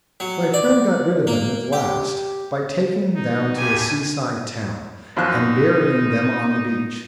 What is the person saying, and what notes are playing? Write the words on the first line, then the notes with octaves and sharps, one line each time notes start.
My friend got rid of them, at last, by taking them down to a sea-side town, and burying them on the beach.
F#3
D5
A#3
G4
D#4
D#2 A2 G4 G#5
F#2 F3 D#4 F#6